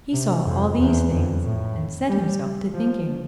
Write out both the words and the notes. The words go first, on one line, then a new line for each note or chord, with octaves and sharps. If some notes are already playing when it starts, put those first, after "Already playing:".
He saw all these things, and set himself to thinking.
C3
F2
E2
F2
A2
G3
F3